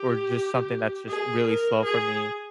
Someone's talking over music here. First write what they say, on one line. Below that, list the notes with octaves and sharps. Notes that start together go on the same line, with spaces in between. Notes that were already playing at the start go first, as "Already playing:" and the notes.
or just something that's just really slow for me.
Already playing: G4
G#4
A#4
G#4